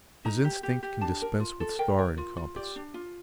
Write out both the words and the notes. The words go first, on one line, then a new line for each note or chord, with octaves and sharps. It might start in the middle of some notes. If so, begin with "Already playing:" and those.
His instinct can dispense with star and compass.
D#4 A#5
G4
G4
G4
D4 A5
A#4
F4
A4
A#4 G5
A#4
F4
F4
G4 D5
D4
F4